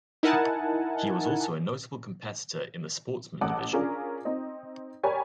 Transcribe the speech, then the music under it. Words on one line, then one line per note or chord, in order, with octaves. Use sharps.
He was also a notable competitor in the Sportsman Division.
D#4 E4 A#4 F#5 G#5 A5
A1 F#5 A5 D6
C#4 D4 F4 G#4 A#4
C4 D#4 D#5
G4 A#4 C#5 D5 G#5 B5